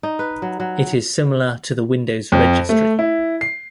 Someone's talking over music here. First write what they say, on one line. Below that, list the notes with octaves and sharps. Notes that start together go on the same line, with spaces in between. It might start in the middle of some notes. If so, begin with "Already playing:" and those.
It is similar to the Windows Registry.
D#4
B4
F#3
F#3
F2
A3
E4
C7